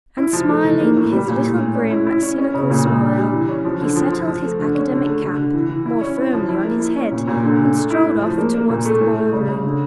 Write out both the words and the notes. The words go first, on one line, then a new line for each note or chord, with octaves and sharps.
And smiling his little grim, cynical smile, he settled his academic cap more firmly on his head and strolled off towards the ballroom.
E4
F3
A3
E3
A#3
A2
G3
A#2
A2
A2
C#4
E4
E4
C#4
C#4
C#3
A#2
A#2
D4
G3
E3
C#4
F3
D3
F3
F3
F3
A3
D3
C#4
D3
A3
D3
D3
E3
E3
E4
C#4
E4
F3
E4
A#3
E4
C#4
A#2
A#2
D3
D3
A3
E4
A2
F3
A#3
A#3
A#2
A3
A2
A3
C#3
C#3
D3